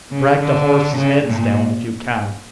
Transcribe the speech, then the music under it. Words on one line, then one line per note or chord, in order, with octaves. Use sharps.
Drag the horses' heads down, if you can!
C#3
D3
C#3
A#2